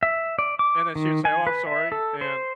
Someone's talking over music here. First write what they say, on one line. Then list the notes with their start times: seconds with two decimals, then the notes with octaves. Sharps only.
and then she would say, "Oh, I'm sorry," and
0.03 E5
0.39 D5
0.59 D6
0.95 D#3
1.25 G#5
1.47 B4
1.67 E5
1.92 A4
2.21 C5